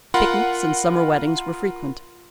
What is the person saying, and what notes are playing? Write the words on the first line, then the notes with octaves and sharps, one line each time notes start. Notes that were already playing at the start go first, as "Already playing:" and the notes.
Picnics and summer weddings were frequent.
F4 A#4 F#5 B5 C6